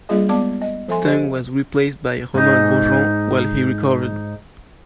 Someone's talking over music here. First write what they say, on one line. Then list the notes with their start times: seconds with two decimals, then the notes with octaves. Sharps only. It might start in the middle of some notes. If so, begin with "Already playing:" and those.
Tung was replaced by Romain Grosjean while he recovered.
0.09 G3 A#3 D4 F4 G#4 D#5
0.29 G#3 B3 D5 A5 D6
0.62 D#5
0.88 F3 A4 E5 G#5 C6
1.04 G4 C5 D#5
2.34 G#2 D#4